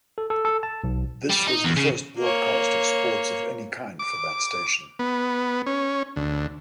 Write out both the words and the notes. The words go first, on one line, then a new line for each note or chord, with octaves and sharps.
This was the first broadcast of sports of any kind for that station.
A4
A4
A4
A5
B1
G3
D#4
E2
C#3
A#3 C#5
D6
B3
C#4
D2